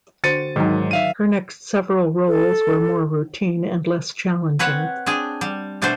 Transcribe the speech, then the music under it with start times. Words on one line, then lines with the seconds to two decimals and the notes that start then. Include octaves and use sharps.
Her next several roles were more routine and less challenging.
0.24 D3 F#4 C5 A6 C#7 D#7
0.56 G#2 D#3 F#3
0.91 E5 F5 D#7
2.28 A4
4.59 C4 B4 C#5 F#5
5.06 C4 D4 G#4
5.41 G3
5.82 B2 A3 D4 A4 C5